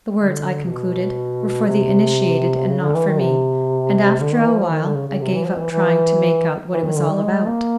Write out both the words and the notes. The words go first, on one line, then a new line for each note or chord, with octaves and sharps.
The words, I concluded, were for the initiated, and not for me, and after a while I gave up trying to make out what it was all about.
D3
B2
C3
C#3
D3
E3
D#3
C3
D3
D#3
E3
F3
D#3
D3
C#3
C#3
C3
E3
F3
E3
E3
E3
D#3
D3
G3
G#3
A#3